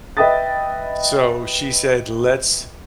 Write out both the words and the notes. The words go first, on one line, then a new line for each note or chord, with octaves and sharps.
So she said, "Lets"
B4 D#5 E5 G5 D#6 A6